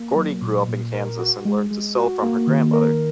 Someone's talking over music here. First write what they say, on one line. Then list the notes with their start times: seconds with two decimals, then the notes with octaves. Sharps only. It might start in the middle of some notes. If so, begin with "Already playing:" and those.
Gordy grew up in Kansas and learned to sew from her grandmother.
Already playing: A#3
0.16 F#3
0.42 A#2
0.68 A#2
0.94 A#4
1.19 F#4
1.45 G#3
1.71 G#3
1.96 F#4
2.22 A#3
2.47 D#3
2.73 A#4